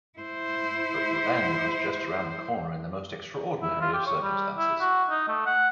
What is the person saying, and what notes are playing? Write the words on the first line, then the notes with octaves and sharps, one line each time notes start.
But revenge was just around the corner in the most extraordinary of circumstances.
E4 C5
E4
F4
G4
C#5
G3
E4
F#4
D#4
A3
F#5